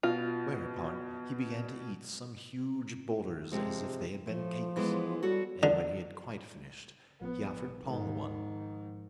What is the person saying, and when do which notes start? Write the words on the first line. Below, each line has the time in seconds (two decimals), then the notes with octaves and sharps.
Whereupon he began to eat some huge boulders as if they had been cakes, and when he had quite finished, he offered Paul one.
0.03 B2 F4
3.52 C3 F3 G#3
4.27 F3 A3
4.76 E3 G#3 B3
5.23 G3 F#4 A4 C#5
5.63 D3
7.21 A1 F3 B3
7.84 G#2 D#3